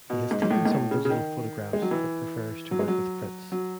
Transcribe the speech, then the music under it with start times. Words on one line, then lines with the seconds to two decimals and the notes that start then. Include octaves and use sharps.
He has taken some digital photographs but prefers to work with prints.
0.10 B2
0.31 G#2
0.42 G#2
0.51 A2
0.65 G#2
0.71 A2
0.91 C#3
1.05 C#3
1.10 D#3
1.73 G#3
1.82 F#3
1.91 E3
2.71 F#3
2.79 G#3
2.88 F#3
3.52 F#3